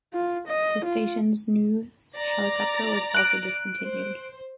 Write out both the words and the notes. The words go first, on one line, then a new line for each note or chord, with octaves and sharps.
The station's news helicopter was also discontinued.
F4
D#5
F4
D5 A#5 A#6
F#6 D7
C5